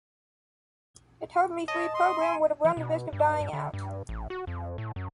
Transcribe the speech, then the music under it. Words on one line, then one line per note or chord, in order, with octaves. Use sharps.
A totally free program would have run the risk of dying out.
C#5 D#5 A5
C6 D#6
G#5
E3
B2
G2
G2
D3
G2
A1
F#4
F2
A2
F#2